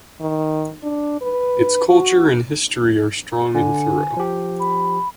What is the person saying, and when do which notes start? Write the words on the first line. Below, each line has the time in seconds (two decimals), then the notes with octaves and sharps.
Its culture and history are strong in Thoreau.
0.20 D#3
0.83 D4
1.21 B4
1.88 F#4
3.55 D3 G#5
4.17 F3 G4
4.60 B5